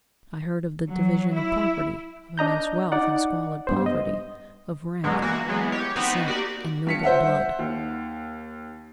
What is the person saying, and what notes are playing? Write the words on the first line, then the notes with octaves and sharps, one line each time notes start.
I heard of the division of property, of immense wealth and squalid poverty, of rank, descent, and noble blood.
F#3
E4
D4 D#5 A#5 G6
D#4 D5 F#5
G2 B3 C5
D#5
G2 B2 D3 F#3 G#3
E3 A#3 F#4
E3 F#3 G#3 B3
G4 C#5
B3 C4 D#4 F#4 B4
A#3 F#4 G4 D5
G2 B6 C#7
C5 E5 F#5
D#2